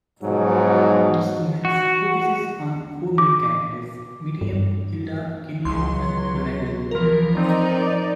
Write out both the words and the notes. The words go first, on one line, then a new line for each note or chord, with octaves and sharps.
This romance focuses on four main characters: Miriam, Hilda, Kenyon, and Donatello.
G#2 B2 F3 F#3
F#4
D6
G2
C#2 F#3 C6
E3 F3 A#4
C4 D#4 D5